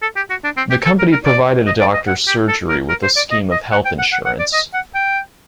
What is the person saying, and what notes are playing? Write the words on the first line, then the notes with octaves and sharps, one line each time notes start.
The company provided a doctor's surgery with a scheme of health insurance.
A4
G4
F#4
D4
C4
G4
A4
A#4
A#4
D5
D#5
D5
D#5
F#5
G4
A4
A#4
A#4
C5
D5
D#5
D#5
F#5
G5
F#5
F#5
F#5
D5
D#5
F#5
G5